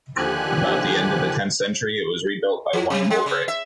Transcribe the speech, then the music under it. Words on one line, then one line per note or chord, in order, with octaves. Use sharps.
About the end of the tenth century it was rebuilt by one Wulfric.
D#2 D3 F3 G4 G#5 F#6
F3
C3
G#3
C#3
E5